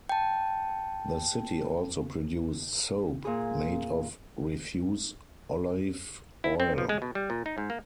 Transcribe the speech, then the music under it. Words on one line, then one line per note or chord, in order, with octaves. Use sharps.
The city also produced soap made of refuse olive oil.
G5 A5
A#2 G#4
E4
C4
F3
G#3
B2
G3
A#2
D#4
G#2
A#3